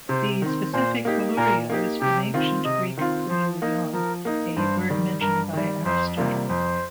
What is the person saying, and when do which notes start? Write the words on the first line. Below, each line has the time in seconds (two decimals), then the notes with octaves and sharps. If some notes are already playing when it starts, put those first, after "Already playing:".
The specific "collurio" is from Ancient Greek "kollurion", a bird mentioned by Aristotle.
0.09 C3 C5
0.42 D#3 C4
0.73 A#2 C5
1.05 A#3 D#4 G4
1.37 A#2 A#4
1.70 A#3 D#4 G4
2.01 C3 G4
2.34 D#3 C4 F4
2.65 C3 D#5
2.97 D#3 C4 F4
3.29 F3 C5
3.62 A#3 D#4
3.93 F3 A#4
4.25 A#3 D#4
4.57 G2 C5
4.90 D#3 G3
5.21 G2 A#4
5.53 D#3 G3
5.85 F2 C5
6.17 C3 G3 A#3 F4
6.49 F2 C5